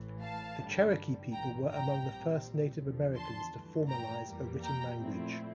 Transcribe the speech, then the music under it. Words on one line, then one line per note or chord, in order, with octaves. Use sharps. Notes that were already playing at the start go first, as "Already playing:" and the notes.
The Cherokee people were among the first Native Americans to formalize a written language.
Already playing: A1 A2 E3
F5 A5
G2 D3 G3
A1 G2 E3 G5 A#5
G5 A#5
A#1 A#2 G3 C4
E2 D3 F3
A5 C6
G2 E3 A3
G5 A#5
F2 E3 G3 A#3
G5 A#5
A#2 F3 A3 C4 E4